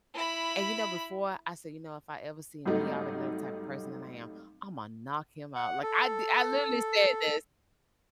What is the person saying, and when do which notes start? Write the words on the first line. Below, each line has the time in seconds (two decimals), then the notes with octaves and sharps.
And, you know, before I said, "You know, if I ever see him," he already know the type of person that I am. "Imma knock him out." Like, I d I literally said this,
0.14 E4 B5
2.65 G#1 F#3 G3 A3 D#4
5.56 F#5
5.83 A4